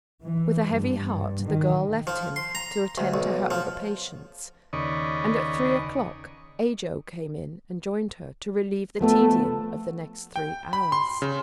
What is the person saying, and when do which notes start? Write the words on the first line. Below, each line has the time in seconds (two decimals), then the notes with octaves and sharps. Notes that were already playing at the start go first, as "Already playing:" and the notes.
With a heavy heart the girl left him to attend to her other patients and at three o'clock Ajo came in and joined her, to relieve the tedium of the next three hours.
0.24 E3
0.74 G2
1.43 D#3
2.07 F3
2.36 C6
2.55 A#5
2.98 D2
3.14 B1
3.51 F3
4.73 D#2 C#3 B4 D5 D#5 C#6
9.01 F3 A3 B3 A4
10.36 G5
10.73 B5
10.92 C6
11.22 C#3